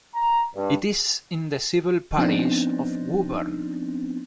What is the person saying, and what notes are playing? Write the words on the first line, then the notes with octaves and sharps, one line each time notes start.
It is in the civil parish of Wooburn.
A#5
G2
F3 B3 C4 D4 D#4